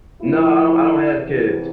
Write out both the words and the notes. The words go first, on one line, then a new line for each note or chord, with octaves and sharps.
No, I don't I don't have kids.
A2 F3 E4
E2 C3 E3